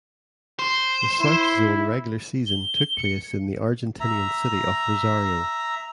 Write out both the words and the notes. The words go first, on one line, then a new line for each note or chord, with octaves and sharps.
The South zone regular season took place in the Argentinian city of Rosario.
C5
E4
G7
C#7
E5 A#5